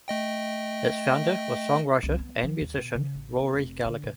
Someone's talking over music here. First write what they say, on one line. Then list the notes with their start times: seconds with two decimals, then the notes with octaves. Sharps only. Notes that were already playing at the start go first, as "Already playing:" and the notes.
Its founder was songwriter and musician Rory Gallagher.
0.08 A3 D#5 G5
2.03 C2
2.19 B3
2.43 F3
2.61 D#2
2.78 B2
2.95 C#3
3.15 A1
3.39 B3
3.53 F1
3.85 D3
4.03 A#2